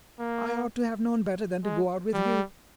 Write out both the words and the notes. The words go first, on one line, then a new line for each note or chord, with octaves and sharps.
I ought to have known better than to go out with you.
A#3
G#3
G3